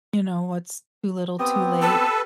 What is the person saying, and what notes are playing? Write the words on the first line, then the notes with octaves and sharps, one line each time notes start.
You know, what's too little too late,
B3 C4 G4 D#6
A4 B4 A5